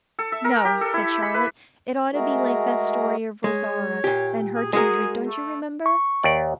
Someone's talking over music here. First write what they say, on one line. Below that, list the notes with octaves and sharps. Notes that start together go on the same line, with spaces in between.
'No,' said Charlotte, 'it ought to be like that story of Rosaura and her kindred, don't you remember?
A4
E5
A#4
G4
A4
E4
B5
B4
G#3 A3 F#4 G#4 A#4
G#3 C#5
A#2 G4
G#4
G#3 F#4 G#4 A#4
A3
C#6
D#2 D5